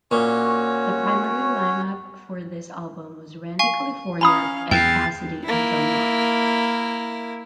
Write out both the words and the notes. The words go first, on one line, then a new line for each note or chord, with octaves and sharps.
The primary line-up for this album was Randy California, Ed Cassidy and John Locke.
A#2 C#4 F#4 C#5
F5 G#5 C#6
C#4 F5 G#5 A#5 B5 D#6
E2 G5 A6 C7
A#3 E4